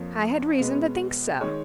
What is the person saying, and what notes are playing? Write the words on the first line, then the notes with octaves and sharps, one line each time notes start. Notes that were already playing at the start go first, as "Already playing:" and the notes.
"I had reason to think so."
Already playing: F2 F3 A#3 C#5
B2 G#3 B3
D#3 G#3 C#5